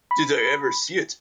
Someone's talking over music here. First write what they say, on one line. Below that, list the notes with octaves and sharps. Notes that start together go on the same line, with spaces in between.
Did I ever see it?
B5